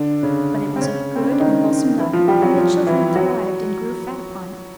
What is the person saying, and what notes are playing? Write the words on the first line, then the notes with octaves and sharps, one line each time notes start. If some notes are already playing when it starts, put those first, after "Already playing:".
But it was a good and wholesome diet, and the children thrived and grew fat upon it.
Already playing: D3 D4
C#3 C#4
C4
C#3 C#4
C4
C#4
D4
D#3 D#4
E3 E4
F3 F4
G3 G4
F#3 F#4
F3 F4
E3 E4
F#3 F#4